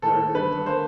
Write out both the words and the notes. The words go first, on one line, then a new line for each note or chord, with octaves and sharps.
Yeah, I agree with that.
D#2 A4
D3 B4
A#3 C5